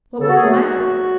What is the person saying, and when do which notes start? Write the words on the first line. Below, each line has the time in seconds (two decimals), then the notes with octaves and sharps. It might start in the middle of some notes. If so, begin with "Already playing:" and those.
What was the matter?
0.20 C#3 A4
0.28 F#4
0.34 G#4
0.42 F#3 A3
0.50 F#4